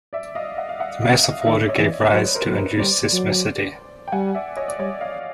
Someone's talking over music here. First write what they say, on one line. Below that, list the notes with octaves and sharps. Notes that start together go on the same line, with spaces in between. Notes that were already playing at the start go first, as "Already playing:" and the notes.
The mass of water gave rise to induced seismicity.
D5 E5
D#5 F5
E5 F#5
F5
E5 F#5
D#5 F5
D#5 F5
D#5
D#3 D5 E5
C#5 D#5
E3
C5
F#3 B4 C#5
C#5
A#4 C5
F#3
B4
A#4 C5
G3 C5 D5
F#3
G5
G3 F#5 G#5
D5 E5
C#5 D#5
D5
G3 C#5 D#5
D#5 F5